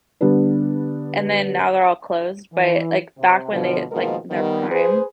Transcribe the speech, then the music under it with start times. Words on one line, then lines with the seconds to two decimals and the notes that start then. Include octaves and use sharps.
and then now they're all closed, but, like, back when they, like, in their prime,
0.21 D3 G3 B3 D4 B4
2.53 E3
3.18 C3
3.52 B2 D3 F3
3.91 B2 D#3 F3 G#3 A#3 A#4
4.31 D#3 G3 B3
4.70 G#4 B4 C5